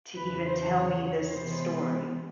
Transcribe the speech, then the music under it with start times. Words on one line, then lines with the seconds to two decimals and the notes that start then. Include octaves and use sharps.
to even tell me this story,
0.15 E2 C#3 E3 B4
0.45 C5
0.73 C#5
1.31 C3 E3 G#3 B3 C5